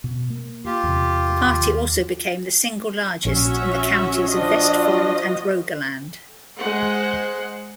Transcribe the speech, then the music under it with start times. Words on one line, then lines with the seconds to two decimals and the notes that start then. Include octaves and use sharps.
The party also became the single largest in the counties of Vestfold and Rogaland.
0.04 B2
0.30 A#3
0.66 F4 G4
0.84 E2 C3
1.46 D#2
3.25 A#1 C#4 F#4 E5
4.30 F3 D4 F4 F#4 D#5
6.58 G#3 C5 F#5